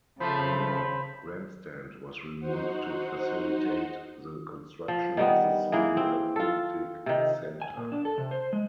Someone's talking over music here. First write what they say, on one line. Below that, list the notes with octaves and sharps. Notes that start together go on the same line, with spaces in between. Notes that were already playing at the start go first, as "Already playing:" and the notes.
The north grandstand was removed to facilitate the construction of the Sebo Athletic Center.
C#3 F3 A3 C5 B5
D#4 F#4 C5 F#5
F3
D#3 G3 B3
E3 A#3 G#4
C4
F4 A4
C3 D#3
G#5
A#2
D4
A4
C3
C5
G#3